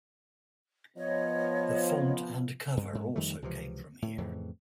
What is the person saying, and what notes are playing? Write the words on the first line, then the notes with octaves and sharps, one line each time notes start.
The font and cover also came from here.
F3 B3 C#5 D#5
G2
G#2 G#3
F2 D#3 G3 A3
C#2 C3 E3 F3
A2
F2 A2 C#3 E3